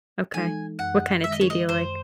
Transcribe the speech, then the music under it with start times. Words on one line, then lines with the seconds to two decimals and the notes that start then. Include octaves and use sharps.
Okay. What kinda tea do you like?
0.34 E3 G#3 D#4 A4 G#5
0.79 F#2 F#5
1.24 D#3 G#3 E5
1.32 D#5
1.41 C#5
1.50 D#5
1.69 F#2 C5